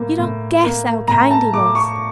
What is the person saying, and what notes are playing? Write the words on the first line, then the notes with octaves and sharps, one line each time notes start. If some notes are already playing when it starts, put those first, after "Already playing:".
You don't guess how kind he was.
Already playing: A2 A#3
A2
A#3
A2 A#5
A5
A2 D6
C#6